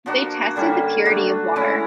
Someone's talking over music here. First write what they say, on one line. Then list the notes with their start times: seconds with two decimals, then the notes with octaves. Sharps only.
They tested the purity of water.
0.06 F3 A#3 D4 F#4
0.56 D3 G3 A#3 C#4
1.06 A3 D4 F#4
1.56 E3 G#3 C#4 E4